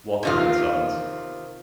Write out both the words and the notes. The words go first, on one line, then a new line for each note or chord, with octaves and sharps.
Walker and Sons.
C3 D#3 F4